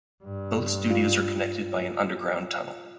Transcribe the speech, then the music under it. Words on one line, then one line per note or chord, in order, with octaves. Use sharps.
Both studios are connected by an underground tunnel.
G2
F4